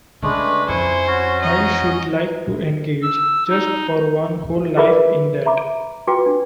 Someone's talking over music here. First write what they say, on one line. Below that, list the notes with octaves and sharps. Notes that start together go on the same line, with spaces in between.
I should like to engage just for one whole life in that.
C#3 G#3 A3 D4 B4
F2 E4 C5 G#5 C#6
C#4 F#4
D#5 A#5
E6
D#4
E4 G#4 A#4 B4 E5 B5
E5 A#5 B5 D6
F4 F#4 B4 G5 D6
D4